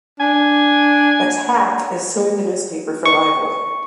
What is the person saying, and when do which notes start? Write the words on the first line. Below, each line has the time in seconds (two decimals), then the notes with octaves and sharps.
Attack is suing the newspaper for libel.
0.20 D4 G#5
3.06 C#6